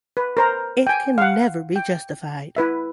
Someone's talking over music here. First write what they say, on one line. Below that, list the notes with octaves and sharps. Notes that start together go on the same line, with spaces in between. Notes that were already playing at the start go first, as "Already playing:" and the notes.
It can never be justified.
B4
A#4 C5 A#5
G5 G#5
F5 F#5
G5
E4 B4 E5